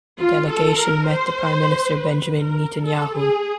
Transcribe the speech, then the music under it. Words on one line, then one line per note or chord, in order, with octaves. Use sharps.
The delegation met the Prime Minister Benjamin Netanyahu.
F4
A4
A#4
C5
B4
A#4
A4
G#4